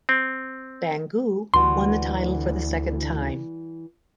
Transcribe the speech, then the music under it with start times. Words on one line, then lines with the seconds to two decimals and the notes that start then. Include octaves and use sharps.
Bangu won the title for the second time.
0.09 C4
1.54 D2 E3 G3 F#4 C6